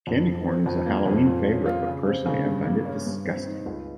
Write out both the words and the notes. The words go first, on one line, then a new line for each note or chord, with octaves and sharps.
Candy corn is a Halloween favorite, but personally I find it disgusting.
F2
F3
C4
F2
A#3
F2
A#2
C#4
F4
C#3
C4
C#3
G2
A#3
C#4
G2
C4
D#4
C#2